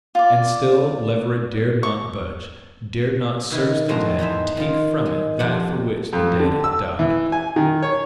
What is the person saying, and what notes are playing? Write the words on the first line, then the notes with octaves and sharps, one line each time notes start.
And still Leverett dared not budge, dared not search the dead and take from it that for which the dead had died.
F4 D5
C#6
B2 D#3 E4
A2 F3 G#3 C4 F#4 A#5
E2 D#4 C5 E5
D#3 F4
G#3
F2 C3 D4 F#5
F2
D3
E6
E3
G#5
D#3
C#5